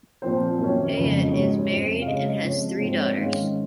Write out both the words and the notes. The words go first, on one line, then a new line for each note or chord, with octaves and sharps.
Paet is married and has three daughters.
A#2 F3 C4 C5
F#2 D#3 A#3 C#4
F2 C#3 F3 G#3
D#5
G#2 F#3 C#4 C#5
C#5
F2 C3 F3 C5
F5
C#3 G#3 C#4 D#5
C3 F3 G#3 C#5
G#2 F3 C4 C5
C#5
G#2 D#3 G#3 C#4 F5